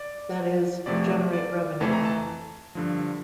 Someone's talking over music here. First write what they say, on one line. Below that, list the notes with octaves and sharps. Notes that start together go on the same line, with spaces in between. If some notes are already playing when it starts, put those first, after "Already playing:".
That is, generate revenue.
Already playing: D5
E2 C3 F3 A3 D5
D5
F2 E3 A3 A5
A#5
A5
G2 D3 F3